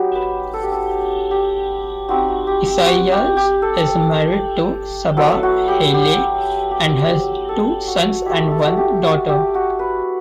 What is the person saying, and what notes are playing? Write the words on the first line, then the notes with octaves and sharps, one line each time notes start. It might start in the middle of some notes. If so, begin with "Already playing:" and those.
Isaias is married to Saba Haile and has two sons and one daughter.
Already playing: F#3 B3 D#4 G4
B4
A4
G4
A4
G4
G3 C4 D#4 F#4
F#4
G4
G4
F#4
G4
G4
A4
F#3 B3 E4 A4
F#4
G4
G4
G4
A4
F#4
A3 E4 G4
A4
F#4
G4
F#4
G4
F#4
B4